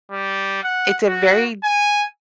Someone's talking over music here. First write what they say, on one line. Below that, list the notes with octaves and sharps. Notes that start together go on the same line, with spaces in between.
it's a very
G3
F#5
F#4
G#5